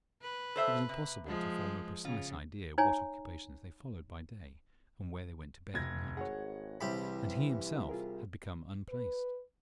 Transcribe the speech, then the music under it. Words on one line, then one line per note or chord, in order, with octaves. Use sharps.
It was impossible to form a precise idea what occupations they followed by day and where they went to bed at night. And he himself had become unplaced.
B4
A4 C5 E5
C3
F3 G#3
C#3 F4
D#4 C#5 G#5 A#5
F1 C#2 G#6 A#6
G#1 G#4 C#5 F#5
C2 E3 G4 E5 B5
F4 G#4 A#4
B4